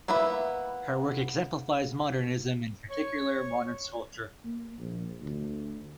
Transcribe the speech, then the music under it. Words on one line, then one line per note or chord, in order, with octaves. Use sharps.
Her work exemplifies Modernism and in particular modern sculpture.
A#3 B3 E4 E5 B5
C#5
A#3
A#1
D2